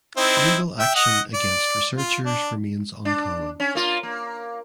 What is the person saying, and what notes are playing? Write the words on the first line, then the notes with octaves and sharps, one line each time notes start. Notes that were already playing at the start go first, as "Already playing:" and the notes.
Legal action against researchers remains uncommon.
C4 D#4 E4
E5 G5
D#5 F#5
D5
F4
D4
D4
C#4
A#3 F4
A#3